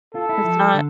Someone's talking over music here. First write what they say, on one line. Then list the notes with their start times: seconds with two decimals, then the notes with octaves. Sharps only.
It's not
0.15 F4 A4
0.29 E4
0.44 F3
0.74 D3